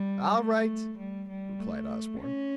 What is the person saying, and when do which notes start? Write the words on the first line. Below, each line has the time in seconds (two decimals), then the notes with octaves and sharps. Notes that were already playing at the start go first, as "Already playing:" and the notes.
"All right," replied Osborne.
Already playing: G3
0.37 A3
0.98 G3
1.29 G3
1.59 A3
2.20 C#4